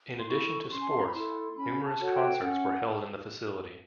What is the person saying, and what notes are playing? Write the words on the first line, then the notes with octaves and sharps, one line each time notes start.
In addition to sports, numerous concerts were held in the facility.
C6
E4 A4 C#6
C#6
C#4 C6
G#5
A5
A#5
B5
E4 A4 C6
C#4 B5
A5
F#4 A4 C#5
G5
C#4 F#5